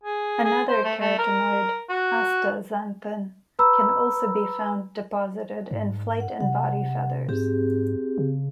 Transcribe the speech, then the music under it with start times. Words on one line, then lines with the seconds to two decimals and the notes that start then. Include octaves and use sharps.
Another carotenoid, astaxanthin, can also be found deposited in flight and body feathers.
0.04 G#4
0.44 G#4
0.69 C5
0.85 A3
1.01 A3
1.19 A#4
1.90 F#4
3.59 B4 A#5 B5 E6
5.71 G#2
6.20 F#5
6.41 C3 F#5
7.29 G#2 C4 G4 G#4
8.18 C#3